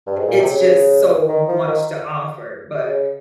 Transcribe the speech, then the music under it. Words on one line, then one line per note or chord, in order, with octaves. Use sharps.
it's just so much to offer, but
G2
G#2
A#2
C3
C#3
D#3
F3
D#3
C#3